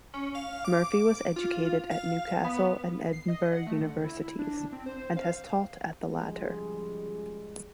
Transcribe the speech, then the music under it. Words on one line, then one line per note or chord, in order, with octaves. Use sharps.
Murphy was educated at Newcastle and Edinburgh Universities, and has taught at the latter.
C#4
F5
D6
F4
F5
B3
C7
D#5
F#5
A3
D3
E4
D4
C4
C5
F5
C#3 F3 G3 G#3